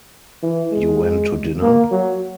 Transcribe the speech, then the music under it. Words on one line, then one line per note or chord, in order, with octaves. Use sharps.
You went to dinner?
E3
G#3
A#3
F#3